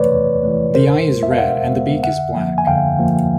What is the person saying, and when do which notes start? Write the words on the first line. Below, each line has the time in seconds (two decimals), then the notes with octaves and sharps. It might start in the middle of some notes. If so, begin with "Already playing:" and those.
The eye is red and the beak is black.
Already playing: C3 E3 A3 B4 C#5 D5
0.11 C3
0.43 E3 A3
0.75 B2 A#4 C5
1.07 G#3 B3
1.23 E5
1.31 F5
1.38 B2 E5 F#5
1.71 G#3 B3
2.03 D3 E5 F#5
2.35 F3 A#3
2.58 G#5
2.67 D3 F5 G5
2.99 F3 A#3